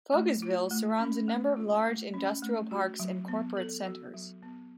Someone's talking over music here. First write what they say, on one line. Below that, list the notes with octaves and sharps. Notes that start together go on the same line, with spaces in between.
Fogelsville surrounds a number of large industrial parks and corporate centers.
A3
F4
A3
C#4
A3
F4
A3
C#4
A3
F#4
F#3
B3
A4
F#4
F#3
B3